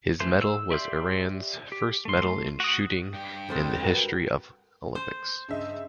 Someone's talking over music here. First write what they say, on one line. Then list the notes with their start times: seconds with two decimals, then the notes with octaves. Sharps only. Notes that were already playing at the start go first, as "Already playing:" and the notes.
His medal was Iran’s first medal in Shooting in the history of Olympics.
0.20 E3 A3 C5
0.41 E6
0.71 G4 D5 E5 C6 G6
1.72 G4
2.05 A3 C6
2.60 F#4 D#6
3.14 G2 G4 G5
3.49 F2 G3 G#3 C4 A4 C6
3.83 F#4 A#4 B4
4.95 C5
5.48 G2 C#3 D#5 E5